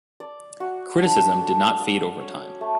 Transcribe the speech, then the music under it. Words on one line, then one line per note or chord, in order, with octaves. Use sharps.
Criticism did not fade over time.
D5
F#4
D4
A4
D5
C#4
A3